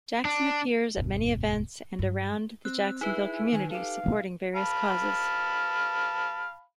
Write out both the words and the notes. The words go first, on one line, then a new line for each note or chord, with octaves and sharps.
Jaxson appears at many events and around the Jacksonville community supporting various causes.
D4
E1 D2 G2 B2
G2
C4 F#6
D#4 E4 G#4 B4
D#3 G#5
G4 A4 F5
B1
F5 A5 B5